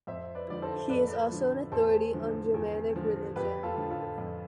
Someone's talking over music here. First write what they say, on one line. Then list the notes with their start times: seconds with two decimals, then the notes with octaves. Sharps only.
He is also an authority on Germanic religion.
0.07 F2 C5 E5
0.35 B4 D5
0.49 D3 F3 D5
0.62 A4 C5
0.89 F2 B4 D5
1.31 D3 F3
1.72 E2 A4 C5
2.13 D3 F3
2.54 E2
2.96 D3 F3
3.36 F2 G4 B4
3.63 F4 A4
3.77 D3 F3
3.91 F4 A4
4.18 F2